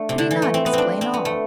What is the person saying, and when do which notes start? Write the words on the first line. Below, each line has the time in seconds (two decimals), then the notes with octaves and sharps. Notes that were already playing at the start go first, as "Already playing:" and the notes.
Could he not explain all?
Already playing: A3 D4
0.09 C3
0.18 D3
0.31 E3
0.42 A3
0.54 C4
0.66 B3
0.73 C4 D4
1.01 C4
1.14 B3
1.25 A3